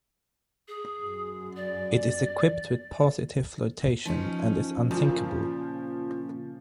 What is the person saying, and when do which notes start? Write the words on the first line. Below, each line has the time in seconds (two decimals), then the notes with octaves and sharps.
It is equipped with positive flotation and is unsinkable.
0.68 G#4
1.01 F#2
1.56 D5
4.05 F3 C#4 D#4
4.91 A#2 C#3 F3